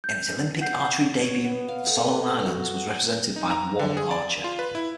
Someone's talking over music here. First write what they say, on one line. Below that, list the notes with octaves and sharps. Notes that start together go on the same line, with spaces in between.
In its Olympic archery debut, the Solomon Islands was represented by one archer.
G6
F#5 G6 C7
C#5
B3
F5
A3
B4
F#4
D#4
A#5
D3
G#4
D5
F4
B4
E4